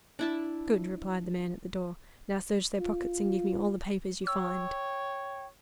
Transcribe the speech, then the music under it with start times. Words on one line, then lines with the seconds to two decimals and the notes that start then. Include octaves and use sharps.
"Good!" replied the man at the door; "now search their pockets and give me all the papers you find."
0.19 D4 E4 A5
2.79 F4
4.27 C#5 G5 E6